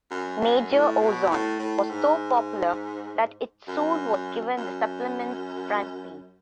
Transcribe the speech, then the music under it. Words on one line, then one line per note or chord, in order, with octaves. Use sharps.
"Major Ozone" was so popular that it soon was given the supplement's front page.
F#2
F#2
A2
B2
A2
A2
G#2
F#2
F#2